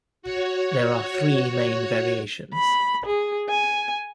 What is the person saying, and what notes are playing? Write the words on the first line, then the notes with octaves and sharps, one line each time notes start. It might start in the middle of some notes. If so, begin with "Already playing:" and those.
There are three main variations.
F#4 C#5
B5
G#4
G#5